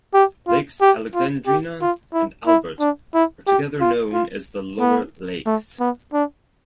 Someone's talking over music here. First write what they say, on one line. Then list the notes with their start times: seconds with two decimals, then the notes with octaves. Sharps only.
Lakes Alexandrina and Albert are together known as the Lower Lakes.
0.14 G4
0.48 F4
0.81 G4
1.14 F4
1.47 G4
1.81 F4
2.14 E4
2.47 E4
2.80 D4
3.14 E4
3.47 G4
3.81 F4
4.13 F4
4.80 B3
5.46 A3
5.80 B3
6.13 D4